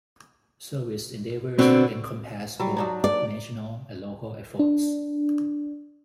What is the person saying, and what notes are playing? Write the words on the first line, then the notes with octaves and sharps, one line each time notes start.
Service endeavors encompass both national and local efforts.
B2 D3 C4 F#4
F#3 G3
F#3 D4 D#4
D5
D4